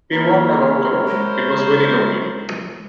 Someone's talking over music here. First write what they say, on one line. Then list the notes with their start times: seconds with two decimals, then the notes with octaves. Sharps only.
He walked about the room — it was very lonely.
0.12 A#3 E4 A#4 C#5
1.08 G#3 C5